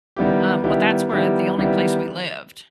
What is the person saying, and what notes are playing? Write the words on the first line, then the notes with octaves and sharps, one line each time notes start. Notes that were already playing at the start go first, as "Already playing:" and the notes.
Um, well, that's where, uh, the only place we lived.
D#3 G3 B3 E4 G4
D#3 G3 B3 E4 G4
D#3 G3 B3 E4 G4
D#3 G3 B3 E4 G4